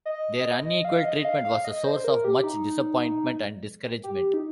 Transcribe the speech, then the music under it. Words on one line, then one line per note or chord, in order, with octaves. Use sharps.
Their unequal treatment was a source of much disappointment and discouragement.
D#5
F5
D#5
F5
F5
D#5
C5
A#4
G4
D#4
G4
D#4